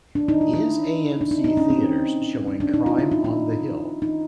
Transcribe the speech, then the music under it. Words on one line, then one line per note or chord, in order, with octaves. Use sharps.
Is AMC Theaters showing Crime on the Hill?
D4
D#4
E4
E4
D4
D#4
D#4
C#4
C4
C#4
D4
D#4
F4
E4
D#4
D#4
D#4